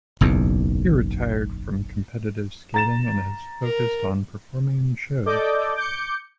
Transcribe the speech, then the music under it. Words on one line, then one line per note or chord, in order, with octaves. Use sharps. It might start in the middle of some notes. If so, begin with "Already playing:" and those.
He retired from competitive skating and has focused on performing in shows.
F#1 B1 E2
A#5 A6 E7
A#4
A4 D5 D#5 D6 G6
D6 G6 C#7